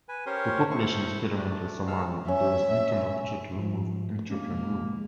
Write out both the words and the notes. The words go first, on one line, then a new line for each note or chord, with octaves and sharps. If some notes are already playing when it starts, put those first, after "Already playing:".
The population is predominantly Somali, and there is internal pressure to remove Ethiopian rule.
B4 G#5
C#4 G4 A#4 C5 C#5 C6
E4 C5 C#6
A3 D4
G#3 A4 F5 E6
C#4 E5
G#2 F3
A3
G#3 A#3 C#4 D4
B2 G#3